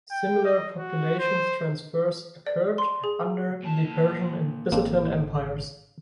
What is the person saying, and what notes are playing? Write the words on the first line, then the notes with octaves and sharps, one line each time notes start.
Similar population transfers occurred under the Persian and Byzantine Empires.
G5
D#5
F#4
C5
D5
C6
G#4
A#2 A5
G#1 A#3 C4 D4